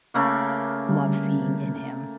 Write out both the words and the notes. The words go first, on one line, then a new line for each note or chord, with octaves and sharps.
love seeing in him.
C#3 A3 A#3
D3 G3